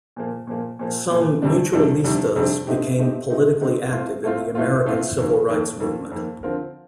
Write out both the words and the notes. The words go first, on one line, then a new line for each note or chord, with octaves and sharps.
Some "mutualistas" became politically active in the American Civil Rights Movement.
A#2 F3 A#3
A#2 F3 A#3
A#2 F3 A#3
A#2 F3 A#3
F2 C3 D#3 G3 D4
F2 C3 D#3 G3 D4
F2 C3 D#3 G3 D4
F2 C3 D#3 G3 D4
D3 A3 C4 D#4 G4
D3 A3 C4 D#4 G4
D3 A3 C4 D#4 G4
D3 A3 C4 D#4 G4
A2 A3 C4 F4
A2 A3 C4 F4
A2 A3 C4 F4
A2 A3 C4 F4
F2 D#3 A#3
F2 D#3 A#3
F2 D#3 A#3
F2 D#3 A#3
D3 F3 C4 F4 A#4